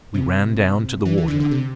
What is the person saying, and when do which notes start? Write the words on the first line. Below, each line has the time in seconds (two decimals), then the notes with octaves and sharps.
We ran down to the water.
0.14 C3
1.05 E3
1.18 E3
1.28 D3
1.40 D3
1.51 C3